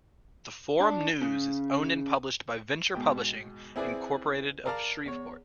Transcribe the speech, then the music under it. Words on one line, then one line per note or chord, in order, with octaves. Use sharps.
"The Forum News" is owned and published by Venture Publishing, Incorporated of Shreveport.
D4
C#3
G#2 B2 G5
C4 E4 G#4 B4 D5
A#4 D5 F5 A5 F6
E2 C#5